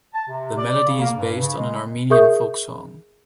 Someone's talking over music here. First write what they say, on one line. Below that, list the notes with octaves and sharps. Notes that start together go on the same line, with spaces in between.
The melody is based on an Armenian folk song.
A5
C3
D5
C#3
A#3
G2
C#3
G#3
G#4 A#4 E5 C#6 D#6 G6